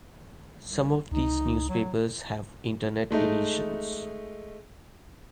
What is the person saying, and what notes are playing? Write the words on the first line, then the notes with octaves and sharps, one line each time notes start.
Some of these newspapers have Internet editions.
C2
C#2 D#4
F#3
G#3 A3 D#4